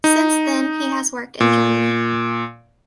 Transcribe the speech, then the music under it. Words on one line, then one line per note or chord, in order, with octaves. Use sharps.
Since then he has worked in Germany.
D#4
A#2